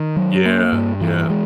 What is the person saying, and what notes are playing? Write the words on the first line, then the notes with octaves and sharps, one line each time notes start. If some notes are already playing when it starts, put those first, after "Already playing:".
Yeah. Yeah.
Already playing: D#3
F#3
A#3
G2
E3
G#3